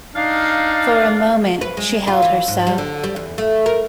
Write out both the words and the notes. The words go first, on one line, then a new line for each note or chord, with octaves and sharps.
For a moment she held her so.
D4 D#4 F5
B4
G#3
F4
E3
G#2
G3
D3
G3
E2
A3
A#4